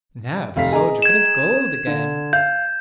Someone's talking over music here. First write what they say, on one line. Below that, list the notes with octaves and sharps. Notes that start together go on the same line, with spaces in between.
Now the soldier could have gold again.
F1 F5 B6
G#4 D#5 A#5
G#6 E7
D3
F5 G6